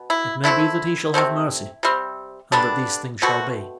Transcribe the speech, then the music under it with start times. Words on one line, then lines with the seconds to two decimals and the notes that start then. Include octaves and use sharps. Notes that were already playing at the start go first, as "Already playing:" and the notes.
It may be that he shall have mercy, and that these things shall be.
Already playing: B2
0.10 E4
0.44 D3 A3 C4 E4
1.14 C3 F#3 A3 C4
1.83 C3 G3 C4
2.52 D3 G3 B3 D4
3.22 B2 A3 C4 F#4